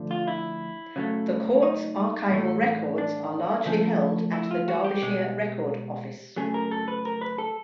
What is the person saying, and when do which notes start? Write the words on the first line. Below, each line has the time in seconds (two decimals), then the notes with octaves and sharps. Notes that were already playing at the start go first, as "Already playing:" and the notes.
The Courts' archival records are largely held at the Derbyshire Record Office.
Already playing: D3 F3 A3
0.11 F4
0.27 E4
0.96 C#3 F#3 A3
1.63 D#4
2.31 A2 E3 A3
2.98 D4
3.66 C#3 F3 A3
4.33 E4
4.51 F4
4.68 F#4
4.84 G4
5.02 B2 G#3
6.36 C#3 F#3 A3 G#4
6.54 A#4
6.71 A4
6.88 B4
7.05 A#4
7.21 B4
7.38 A4